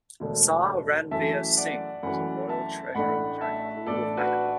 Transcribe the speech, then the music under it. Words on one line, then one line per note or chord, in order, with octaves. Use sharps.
Sah Ranveer Singh was a royal treasurer during the rule of Akbar.
E1 D2 D3
F#2 E3 A3 E5 A5
D5 F#5
F#2 E3 A3 F#5 B5
E5 A5
A1 A2 A3 D4 F#5 B5
E5 A5
A1 A2 A3 D4 A4 D5
F#4 B4